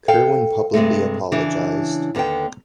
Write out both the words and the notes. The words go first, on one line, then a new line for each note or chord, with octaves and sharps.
Kerwin publicly apologized.
A4 F5 G5
G2 C3 G#3 A3
C#3 E3 D4
D#2 D3 B3 A4 G5